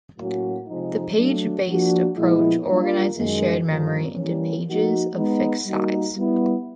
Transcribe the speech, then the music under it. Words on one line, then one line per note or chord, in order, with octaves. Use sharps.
The page based approach organizes shared memory into pages of fixed size.
A2 F#3 A#3 C#4 F#4
C3 F3 G#3 C4 D#4
F#3 A3 D4
F3 A#3 D4 F#4
A#2 F3 G#3 B3 E4
G3 A#3 D4 F4
F#2 D#3 G#3
G2 D3 F3 A#3
E3 G3 A#3 C#4
F3 A#3 D#4 F#4
G#3 B3 D#4
G3 A#3 D#4 F#4
G3 B3 E4